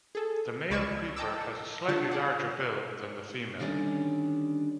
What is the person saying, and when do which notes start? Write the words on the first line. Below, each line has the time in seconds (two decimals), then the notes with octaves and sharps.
The male creeper has a slightly larger bill than the female.
0.15 G#4 A4
0.70 C#2 D5 B5 C#6 G#6 E7
1.16 D#5 G5 A5 A#5 D6 E6
1.88 D3 D4 F4 F#5 A5 C#6
2.11 G#4 D5 F#5
3.60 D3 D#3 G3 C#4 D4